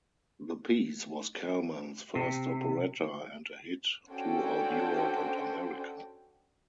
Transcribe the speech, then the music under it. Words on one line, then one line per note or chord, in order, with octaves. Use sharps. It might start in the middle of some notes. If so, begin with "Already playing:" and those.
The piece was Kalman's first operetta and a hit throughout Europe and America.
C3
C#4 D4 F#4 A4 C5 G5